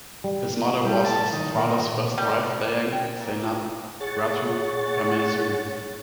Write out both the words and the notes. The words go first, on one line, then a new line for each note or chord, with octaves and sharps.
His mother was his father's first wife Dayang Zainab, Ratu Permaisuri.
G3
G3
A5
D#3
A#2
G3
G5
A#2
G#4 C#5 F#5 C#6 A6